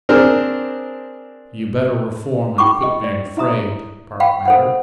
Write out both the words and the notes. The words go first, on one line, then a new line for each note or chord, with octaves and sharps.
"Yuh better reform and quit being afraid," Park bantered.
C4 D4 G#4 A#4
E4 G#4 G5 B5 C#6 D6
D#5
D5
E4 E5 A#5 D#6
F5 G5 B5
A4 C5 F#5